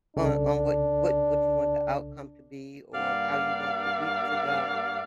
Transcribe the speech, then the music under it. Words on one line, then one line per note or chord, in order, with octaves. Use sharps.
on on what what what you want the outcome to be or how you want the week to go,
C2 C#3 D4 A4
G2 A#3 D5 F5 F#5